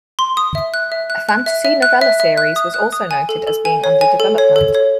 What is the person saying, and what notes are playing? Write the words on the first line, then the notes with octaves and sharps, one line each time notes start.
A fantasy novella series was also noted as being under development.
C6
D#6
E5
F#6
E5
F#6
F#6
E5
E5
F#6
E5
E5
F#6
D#6
F#6
D#6
G#5
A4
A4
G#5
C#5
G#5
A4
C#5
A4
C#5